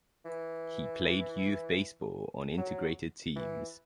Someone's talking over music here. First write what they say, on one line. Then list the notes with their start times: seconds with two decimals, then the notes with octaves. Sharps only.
He played youth baseball on integrated teams.
0.25 E3
2.58 F#3
3.36 E3